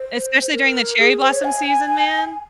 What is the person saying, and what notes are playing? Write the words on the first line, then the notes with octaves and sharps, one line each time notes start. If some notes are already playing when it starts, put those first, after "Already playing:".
Especially during the cherry blossom season, man.
Already playing: C5
A#4
G#4
C5
C#5
G#5